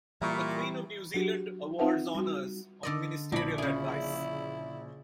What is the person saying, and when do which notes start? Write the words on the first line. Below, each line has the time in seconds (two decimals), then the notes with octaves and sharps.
The Queen of New Zealand awards honours on ministerial advice.
0.22 A#2 E3 G3 E5 A#5 B5 C#6
1.14 F#3 D4 F#4 G4
1.79 C4 D#4 F4 B4 E5 F#5
2.15 G3 F#4
2.83 D3 D5 D#5
3.32 A#1 D4 B5
3.58 C#3 E4 G#4